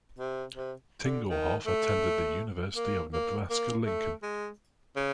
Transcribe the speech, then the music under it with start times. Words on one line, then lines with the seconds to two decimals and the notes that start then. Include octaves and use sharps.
Tingelhoff attended the University of Nebraska-Lincoln.
0.19 C3
0.56 C3
1.04 D3
1.30 D#3
1.66 A3
2.77 A#3
3.13 A#3
3.50 A#3
3.86 A3
4.23 G#3
4.96 C#3